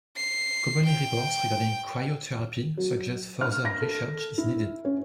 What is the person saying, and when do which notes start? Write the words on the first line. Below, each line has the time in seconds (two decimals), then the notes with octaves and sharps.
Commonly reports regarding cryotherapy suggest further research is needed.
0.16 C7
0.85 G5
2.77 F#3
3.41 F6
3.65 A#6
3.82 A4
4.38 E4
4.85 C#4